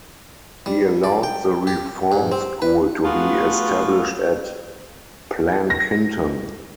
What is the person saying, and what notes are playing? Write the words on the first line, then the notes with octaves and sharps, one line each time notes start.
He allowed the reform school to be established at Plankinton.
G3
D5
G5
G4
G2
C4
B4
A3 B3 F4 F#4 G#4
A#6